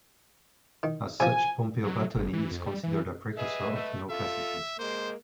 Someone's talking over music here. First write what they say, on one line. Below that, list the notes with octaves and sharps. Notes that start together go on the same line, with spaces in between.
As such Pompeo Batoni is considered a precursor of Neoclassicism.
D#3
C3 F3 G#5
F#3
G1
E3
F2
G3
E3
G#4 B4 D#5 E5
A3
F4 A4 E5 F5
G#3 A#3 C5